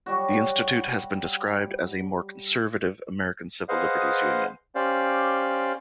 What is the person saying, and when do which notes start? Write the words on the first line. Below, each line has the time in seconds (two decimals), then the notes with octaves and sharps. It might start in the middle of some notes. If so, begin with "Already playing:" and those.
The institute has been described as a more conservative American Civil Liberties Union.
0.06 F#3 G3 F#4
3.69 G#4 B4 C5 D#5 F5 F#5
4.75 C#4 G4 C5 D5 F5